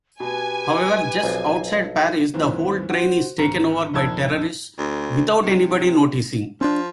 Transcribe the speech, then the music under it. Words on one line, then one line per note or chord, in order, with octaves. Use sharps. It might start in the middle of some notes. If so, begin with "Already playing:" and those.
However, just outside Paris the whole train is taken over by terrorists-without anybody noticing.
B2 G4 B4 G#5 D6
B1 F3 C4
D#2 G#2 E3 F3 C4
F#4 C5
G#1 A#5 C#7
A#1 F2 D#3 A5 E6 G#6
D2
C3
F3 C#4 D4